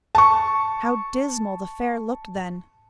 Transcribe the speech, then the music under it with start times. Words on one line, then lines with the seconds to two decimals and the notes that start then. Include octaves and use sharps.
How dismal the fair looked then!
0.15 A5 C#6